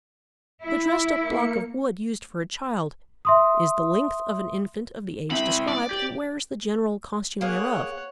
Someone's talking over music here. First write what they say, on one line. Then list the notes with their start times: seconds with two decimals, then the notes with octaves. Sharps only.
The dressed-up block of wood used for a child is the length of an infant of the age described and wears the general costume thereof.
0.63 E4
1.19 A#3 C#7
3.25 E5 C6 D#6
5.31 C4 E4 E5 B5
5.68 D5
5.91 G4
7.41 A#3 G#4 C#5 F#5